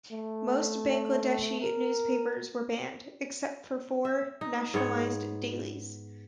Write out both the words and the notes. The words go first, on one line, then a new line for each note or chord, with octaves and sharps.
Most Bangladeshi newspapers were banned, except for four nationalised dailies.
A3
A#4
E5
D#4
G#2 B3 C#5